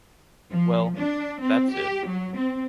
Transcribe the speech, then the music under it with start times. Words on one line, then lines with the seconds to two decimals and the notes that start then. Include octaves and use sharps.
Well, that’s it.
0.52 F3
0.97 D4
1.41 C4
1.74 G4
2.06 F#3
2.36 C4